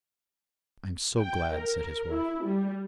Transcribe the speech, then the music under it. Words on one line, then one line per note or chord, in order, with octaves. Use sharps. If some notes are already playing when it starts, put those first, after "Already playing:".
"I am so glad," said his wife.
G5
A#4
E4
G3